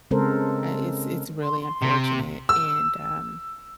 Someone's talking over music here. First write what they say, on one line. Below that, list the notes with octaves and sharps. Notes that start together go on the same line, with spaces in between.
uh, it's it's really unfortunate, and, um,
C#3 G#3 C4 A4 A#4 C5
C6
C3
E6